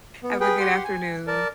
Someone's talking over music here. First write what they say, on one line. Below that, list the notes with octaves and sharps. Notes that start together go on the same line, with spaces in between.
Have a good afternoon.
B3
G#4 B4 G5
G4 F#5 C6
G#5
A#4 D5 A5